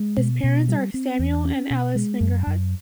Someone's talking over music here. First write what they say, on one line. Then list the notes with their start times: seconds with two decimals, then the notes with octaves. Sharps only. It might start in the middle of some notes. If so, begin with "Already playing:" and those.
His parents are Samuel and Alice Fingerhut.
Already playing: G#3
0.17 B2
0.44 B2
0.68 G3
0.94 C4
1.19 E2
1.45 C#4
1.70 B2
1.95 G#3
2.21 F#2
2.47 F#2